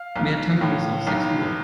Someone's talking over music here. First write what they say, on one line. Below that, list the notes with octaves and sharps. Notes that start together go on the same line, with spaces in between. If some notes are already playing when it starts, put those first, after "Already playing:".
Mehr Tangos auf sechs Uhr.
Already playing: F5
B1
A2
B1